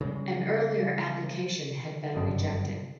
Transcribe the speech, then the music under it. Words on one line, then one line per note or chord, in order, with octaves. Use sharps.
An earlier application had been rejected.
C#3 G3 G#3
G1 F#2 G3 D#5 A5